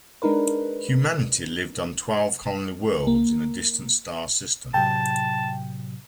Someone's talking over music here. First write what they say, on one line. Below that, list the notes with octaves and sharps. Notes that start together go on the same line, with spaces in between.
Humanity lived on twelve colony worlds in a distant star system.
G#3 D4 D#4 A#4 B4
A#3
A2 C3 F#3 G5 A5